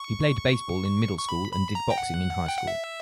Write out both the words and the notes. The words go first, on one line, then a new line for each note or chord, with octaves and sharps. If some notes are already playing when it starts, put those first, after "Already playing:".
He played baseball in middle school and did boxing in high school.
Already playing: C#6
C#6
B5
B5
A#5
G5
F#5
G5
F#5
E5